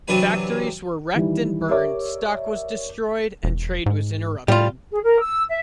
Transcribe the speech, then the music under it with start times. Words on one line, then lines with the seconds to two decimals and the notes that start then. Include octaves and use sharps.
Factories were wrecked and burned, stock was destroyed, and trade was interrupted.
0.08 C3 E3 F#3 D4 B4 G#5
1.14 D#3 E3 G3
1.69 G4 A#4 C#5 D5 E5 D6
3.44 E1
3.86 G#2
4.48 A2 G3 F4
4.91 G#4
5.02 A#4
5.21 E6
5.49 E5